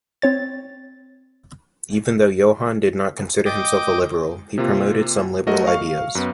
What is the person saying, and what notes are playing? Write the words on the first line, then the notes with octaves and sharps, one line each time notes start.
Even though Johann did not consider himself a liberal, he promoted some liberal ideas.
C4 C#5 A6
D#5 G5 D6
C3 A#3 F4
F#3 A3 F#4 A#4 D#5
F5 C#6 F6
F#2 B3